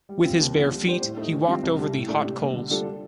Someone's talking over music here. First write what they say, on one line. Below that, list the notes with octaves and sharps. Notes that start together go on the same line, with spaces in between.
With his bear feet, he walked over the hot coals.
G3
C4 F4
D#2
D3 F3 C4
G3
D4 G4 C5
A2
A3 D#4
D#3
G3 C4 F4
C2
C3 G3
A2
A3 D4
C3
G3 A#3
D3
G3 D4 F4 A4